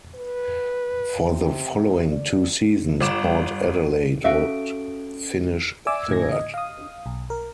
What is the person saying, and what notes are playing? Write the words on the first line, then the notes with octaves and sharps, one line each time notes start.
For the following two seasons Port Adelaide would finish third.
B4
C3
D5
G1 D6 E7
C#4 F#4 A4 E5 F5 D7
D5 E5 G#5 D6 E6
A2 D3 G#6 A#6
D#5
F5 D#6
B1
A#4